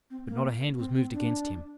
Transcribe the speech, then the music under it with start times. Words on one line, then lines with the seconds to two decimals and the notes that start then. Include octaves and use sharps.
But not a hand was moved against him.
0.10 C4
0.28 A#3
0.79 C4
0.95 C4
1.13 D4